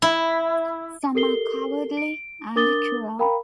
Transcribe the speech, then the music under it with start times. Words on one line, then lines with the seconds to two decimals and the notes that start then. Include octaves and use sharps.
Some are cowardly and cruel.
0.02 E4
1.15 G4 A4 A#4 C7 G7
1.97 D7
2.56 D4 A#4 D6 D#6 A6 G7
3.19 A#4 F5 G5 A#5 B5